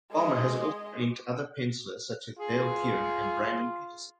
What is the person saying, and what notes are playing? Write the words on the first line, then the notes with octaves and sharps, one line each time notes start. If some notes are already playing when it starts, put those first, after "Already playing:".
Farmer has also inked other pencillers, such as Dale Keown and Brandon Peterson.
G#3 D#5
F4 G#4